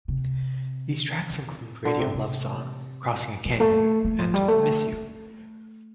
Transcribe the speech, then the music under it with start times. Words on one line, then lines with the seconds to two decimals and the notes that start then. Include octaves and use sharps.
These tracks include "Radio Luv Song", "Crossing a Canyon", and "Miss You".
0.08 C3
1.85 D3
1.99 C3
2.14 C3
3.45 F3
3.60 A3
4.05 A3
4.19 F3
4.34 G3
4.48 A3
4.92 A3